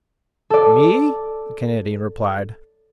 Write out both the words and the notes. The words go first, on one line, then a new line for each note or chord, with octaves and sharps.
"Me?" the Canadian replied.
A4 D5